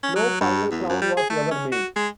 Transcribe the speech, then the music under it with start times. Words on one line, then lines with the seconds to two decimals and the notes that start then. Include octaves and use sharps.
No final crown was ever made.
0.03 C#4
0.16 F#3
0.41 G2
0.71 E2
0.89 F#2
1.01 G3
1.17 G#4
1.30 A3
1.51 C#4
1.72 F#4
1.96 G#3